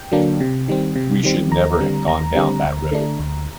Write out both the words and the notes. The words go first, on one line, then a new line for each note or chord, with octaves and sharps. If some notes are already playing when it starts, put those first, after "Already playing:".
We should never have gone down that road.
Already playing: G5
D3 F#3 A#3 D4
C3
D#3 G3 C4
C3
D#3 G3 C4
D#2 A#5
D3 G3 C4
D#2 A#5
D3 G3 C4
D2
D3 A3 D4
D2